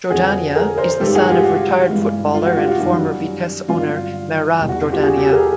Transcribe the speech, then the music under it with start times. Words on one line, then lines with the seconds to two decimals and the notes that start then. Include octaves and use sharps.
Jordania is the son of retired footballer and former Vitesse owner Merab Jordania.
0.10 F2 D3 F3 F#4 G#4
0.55 G#4 A#4
0.78 A#4 C5
1.00 G2 D#3 G#3 G4 A4
1.15 F#4 G#4
1.30 F4 G4
1.45 F#4
1.89 G2 E3 G#3
2.34 F4
2.45 F#4
2.56 F4 G4
2.68 F#4
2.79 F#2 D#3 G3
3.68 G2 D3 F#3 F4
4.58 E2 B2 G3
4.69 F#4
4.81 F#4
4.92 F4 G4
5.03 F#4 G#4
5.18 G4 A4
5.32 G#4 A#4